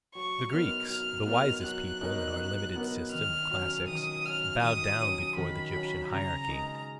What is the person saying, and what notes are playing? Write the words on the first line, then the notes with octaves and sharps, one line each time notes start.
The Greeks, the wisest people in our limited system of classics, bowed down before the Egyptian hierarchy.
F#3 C#6
B3 D#4 A#4 C#5 F6
F#3 F6
B3 D#4 A#4 C#5 F6
F#3 F#6
B3 D#4 A#4 C#5
F#3
B3 D#4 A#4 C#5
D#3 F6
F#3 C#4
D#3 D#6
F#3 C#4 F6
D#3 D#6
F#3 C#4
D#3 B5
F#3 C#4
C#3 A#5
G#3 D#4 G#4